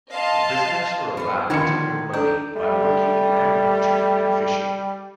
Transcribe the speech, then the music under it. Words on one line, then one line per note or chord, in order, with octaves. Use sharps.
The prisoners were allowed to earn money by working in agriculture and fishing.
D#5 F5 A5 C6
B2 C5
B2 D3 D#3 F3 G#6 C#7
D4 A4 A#5 G6
G3 A3